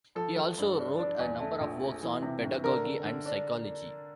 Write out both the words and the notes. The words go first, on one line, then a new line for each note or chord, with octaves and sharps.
He also wrote a number of works on pedagogy and psychology.
F3 A4
F3
G2
D4
D4
E2
A3
A#1
A3
E3
C3
G1
D3 A#4
D3
D3
D4